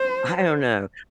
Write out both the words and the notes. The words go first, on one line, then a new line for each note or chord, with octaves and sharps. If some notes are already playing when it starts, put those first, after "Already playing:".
I don't know.
Already playing: C5